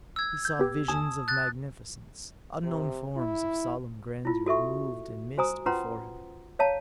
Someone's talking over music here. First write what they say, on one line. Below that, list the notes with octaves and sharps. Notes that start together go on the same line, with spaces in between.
He saw visions of magnificence; unknown forms of solemn grandeur moved in mist before him.
E6 G#6
G6
B3 G4
D#2 G#5 A5 D#6
F#6 A6
C3
E4
E4 F4
F#4 A4 E5 C#6
F#4 C5 G#5 A#5 D#6
C#4 F4 B4 F#5 A#5 C6
C#5 F5 A5 A#5